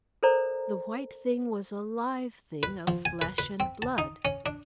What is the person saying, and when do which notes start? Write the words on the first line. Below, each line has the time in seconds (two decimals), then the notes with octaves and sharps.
The white thing was a live thing of flesh and blood.
0.23 A4 A#4 C5 D5 A#5
2.63 B4
2.87 F3
3.05 G#5
3.22 B4
3.38 B4
3.60 C4
3.82 A5
3.98 D#4
4.25 C#4
4.46 D4